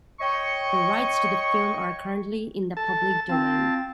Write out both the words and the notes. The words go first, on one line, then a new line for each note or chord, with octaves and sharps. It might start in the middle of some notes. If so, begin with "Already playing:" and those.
The rights to the film are currently in the public domain.
C#5 D#5 G5 C#6
A4 A5
C4 F4 A5